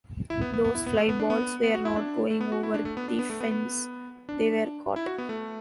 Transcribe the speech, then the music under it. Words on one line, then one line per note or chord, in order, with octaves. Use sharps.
Those fly balls were not going over the fence, they were caught.
E4
B3
B3
B3
E4
B3
A3
B3
D4
B3
B3
F#4
E4
D4
A3
B3
F#4
E4
D4
A3
B3
D4
B3
A3
B3
B3
D4
E4
F#4
B3
A3